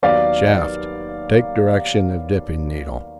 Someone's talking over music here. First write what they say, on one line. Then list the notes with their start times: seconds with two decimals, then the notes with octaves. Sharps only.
Shafts: take direction of dipping needle.
0.02 D#2 D#3 F#3 B3 D5 F5